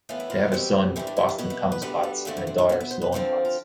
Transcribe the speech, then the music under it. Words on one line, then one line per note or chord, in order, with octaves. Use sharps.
They have a son, Boston Thomas Potts and a daughter, Sloane Potts.
A2 E3 B3 F4
E4
F4
B2 G3 C4
G2 E3 G3 C4 E4
D4
E4
F4
B2 B3 G4
E4
B4
D2 D3 G3 B3 B4
A4
D2 D3 A3 C4 F4
E4
C4
D4
B2 B3 D4
E4
C5
B4
F2 D3 F3 C4 A4
F4